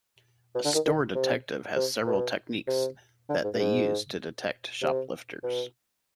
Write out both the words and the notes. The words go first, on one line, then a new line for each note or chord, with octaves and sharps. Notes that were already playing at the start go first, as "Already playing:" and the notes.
A Store Detective has several techniques that they use to detect shoplifters.
B2
D3
D#3
D#3
C3
C3
B2
C3
D3
G#2
G2
G#2
C3
B2